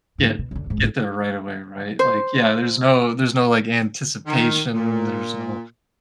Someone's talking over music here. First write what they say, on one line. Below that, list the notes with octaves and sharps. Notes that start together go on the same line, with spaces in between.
get get there right away, right? Like, yeah, there's no there's no, like, anticipation, there's no
G#2
B2
F#2 D3
A1 G#2
G#1 A2
C5
D#3
A#2